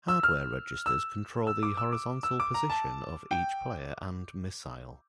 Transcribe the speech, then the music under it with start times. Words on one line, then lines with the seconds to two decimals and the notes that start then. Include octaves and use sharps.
Hardware registers control the horizontal position of each player and missile.
0.08 E6
0.23 F6
0.86 E6
1.47 E6
1.63 D6
1.77 E6
1.93 D6
2.23 E6
2.40 D6
2.54 A#5
2.70 A5
3.31 G5